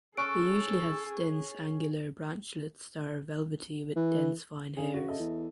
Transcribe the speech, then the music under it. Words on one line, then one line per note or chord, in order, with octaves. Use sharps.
It usually has dense angular branchlets that are velvety with dense fine hairs.
C#4 G#4 A4 C#6 F#6 D7
E3
C#3 G#4
F#4
A4 D#5 E5
E2